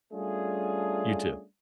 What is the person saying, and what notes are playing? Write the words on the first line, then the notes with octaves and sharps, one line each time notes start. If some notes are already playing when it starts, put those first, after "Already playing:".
You too.
G3 A3 C#4 D4 F4 G#4